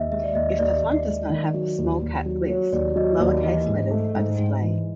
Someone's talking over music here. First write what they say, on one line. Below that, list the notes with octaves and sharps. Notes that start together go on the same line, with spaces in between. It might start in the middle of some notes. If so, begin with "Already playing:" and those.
If the font does not have small-cap glyphs, lowercase letters are displayed.
Already playing: D#2 D#5 E5
G#3 E5
D5
D#2 D#5
D#2 D5
D#2
G#3
D#3
F#3
D#2
D#2
F#3
F#3 C#5
D#2 D5
F#3 D#5
D#2 D5
E3 D#5
G#2
A3
G#2
G#2
E3